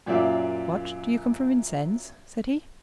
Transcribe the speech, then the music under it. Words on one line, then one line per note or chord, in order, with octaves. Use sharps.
"What, do you come from Vincennes?" said he.
F#2 A#2 D5 E5 F5